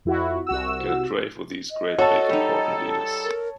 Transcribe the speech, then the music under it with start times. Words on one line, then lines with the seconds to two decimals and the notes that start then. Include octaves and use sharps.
Get a tray for these great big important leaders.
0.05 F2 E4 F#4
0.47 C2 F#4 E6
1.71 D#5
1.98 F#4 A4 C#5 A5
2.29 G3 D#4
3.24 A#4